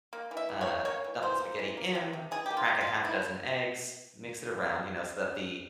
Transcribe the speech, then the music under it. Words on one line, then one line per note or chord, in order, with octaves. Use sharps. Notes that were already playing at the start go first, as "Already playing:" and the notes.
uh, dump the spaghetti in, crack a half dozen eggs, mix it around, you know, so that the
A#3
E3
E5
E3
C#5
A#3
A#3 C#5
E3
E3 C5
A#3
E3
A#3
C3
C3
E3 G#4
A#3 G4
F4
C3
F4
C3
F3 E4